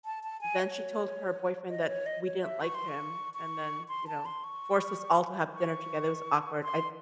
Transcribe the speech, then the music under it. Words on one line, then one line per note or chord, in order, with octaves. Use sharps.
then she told her boyfriend that we didn't like him and then, you know, forced us all to have dinner together, it was awkward. I
A5
A5
G#5
C#5
D#5
C#5
D#5
C#5
E5
C#6
C6
C#6
C#6
C6
A5
C6
C#6
C#6
C6